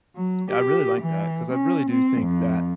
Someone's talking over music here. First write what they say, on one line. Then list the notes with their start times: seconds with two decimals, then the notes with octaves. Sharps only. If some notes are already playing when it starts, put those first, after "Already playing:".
Yeah, I really like that 'cause I really do think that
0.16 F#3
0.51 G4
1.02 E3
1.53 C#4
1.90 C4
2.21 F2